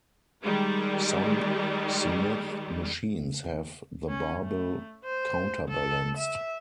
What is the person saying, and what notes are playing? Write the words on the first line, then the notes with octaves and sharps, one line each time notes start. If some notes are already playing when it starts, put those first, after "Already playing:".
Some Smith machines have the barbell counterbalanced.
D#3 G3 G#3
C#4
A3
C5
A4
E5